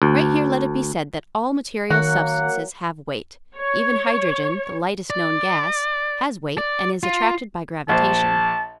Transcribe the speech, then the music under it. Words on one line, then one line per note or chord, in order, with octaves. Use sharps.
Right here let it be said that all material substances have weight; even hydrogen, the lightest known gas, has weight, and is attracted by gravitation.
D2
D#3 F#3 A#3 F#4 F#5
C#5
D5
D5
F4
A#1 C5 A5